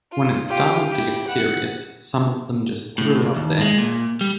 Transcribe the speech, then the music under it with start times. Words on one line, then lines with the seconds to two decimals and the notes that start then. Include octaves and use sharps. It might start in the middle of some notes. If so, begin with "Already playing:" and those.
When it started to get serious, some of them just threw up their hands.
0.12 F4
0.48 F4 G4
0.91 E4 G4
1.28 F#5
2.98 A2
3.22 C2
3.36 D#2
3.61 G#3
3.78 A#2
4.21 G3